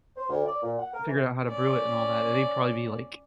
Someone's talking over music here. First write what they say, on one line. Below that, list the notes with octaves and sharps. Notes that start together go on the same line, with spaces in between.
figured out how to brew it and all that and they'd probably be, like,
C5
D2
D5
A#2
F#5
A#4
E3
C#4 D5